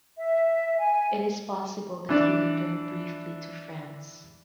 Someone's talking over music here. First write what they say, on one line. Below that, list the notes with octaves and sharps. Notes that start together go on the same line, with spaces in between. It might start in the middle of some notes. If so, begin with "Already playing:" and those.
It is possible that he returned briefly to France.
E5
G#5
E3 D4 D5